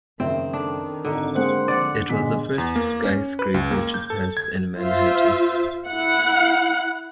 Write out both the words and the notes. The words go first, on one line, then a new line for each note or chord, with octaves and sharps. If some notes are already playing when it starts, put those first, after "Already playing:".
It was the first skyscraper to pass in Manhattan.
F#1 D#3 C4 E5
D4 A4
G#1 D3 D#4
G#3 A#3 C4 C5 F#5
D3 F3 D5 F#5
G1 A#2 G#3 B6
E2
A#3
C#4
B4
C#2
A#3
G6
A4
G#6
F4 C5 E5
E4 F#5